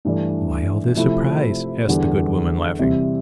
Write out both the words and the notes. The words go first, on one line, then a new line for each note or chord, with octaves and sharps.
"Why all this surprise?" asked the good woman, laughing.
G2 E3 A3 D4
C3 F3 A3 C4 E4
E2 D3 G3
C3 E3 G3 C4